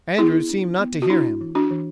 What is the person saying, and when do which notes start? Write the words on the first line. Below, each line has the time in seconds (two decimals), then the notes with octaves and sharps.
Andrews seemed not to hear him.
0.18 B3 E4 G#4
0.49 D4
0.79 B3
1.02 F#4
1.10 D4 E4
1.41 E3
1.55 D4 F#4
1.71 E3